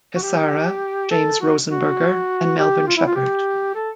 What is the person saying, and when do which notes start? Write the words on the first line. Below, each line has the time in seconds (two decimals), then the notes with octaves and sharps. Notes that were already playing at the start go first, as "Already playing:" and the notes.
Cassara, James Rosenberger and Melvin Sheppard.
0.15 F#4
0.23 G4
1.11 A4
1.40 F#4
1.70 F#4
2.58 G4
2.87 F4
2.97 E4
3.07 F4
3.16 G4
3.75 A4